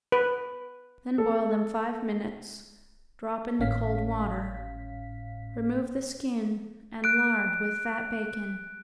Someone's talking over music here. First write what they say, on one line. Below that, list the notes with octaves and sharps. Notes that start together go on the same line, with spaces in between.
Then boil them five minutes, drop into cold water, remove the skin and lard with fat bacon.
B4
A4
G#1 A2 C#4 F5 B6
F#6 D7